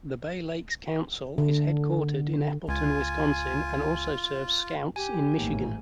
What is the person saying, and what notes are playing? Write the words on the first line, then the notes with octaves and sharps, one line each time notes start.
The Bay-Lakes Council is headquartered in Appleton, Wisconsin, and also serves Scouts in Michigan.
D3
C#2 F4 G#5
G4 G#5
A1 D#2 G#2